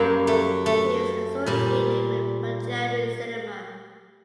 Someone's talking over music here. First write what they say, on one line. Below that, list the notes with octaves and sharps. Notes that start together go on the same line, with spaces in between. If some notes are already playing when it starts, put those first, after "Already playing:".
He is associated with Punjabi cinema.
Already playing: F#2 F#3 G3 A#3
A3
A3
A#2 G3